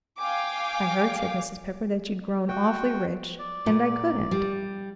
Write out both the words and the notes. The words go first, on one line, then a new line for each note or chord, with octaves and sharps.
"I heard," said Mrs. Pepper, "that you'd grown awfully rich, and I couldn't."
F5 G5 G#5 D6
F#4 G5
D5
A#2
G3